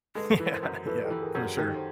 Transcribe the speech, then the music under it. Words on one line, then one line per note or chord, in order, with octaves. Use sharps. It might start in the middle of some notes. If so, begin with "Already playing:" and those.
Yeah. Yeah. For sure.
G#3 A4 B4
E3
A#4 C5
F#2
E3 A4 B4
G4 A4
E3
G#4 A#4
F#2
D#3 G4 A4
C5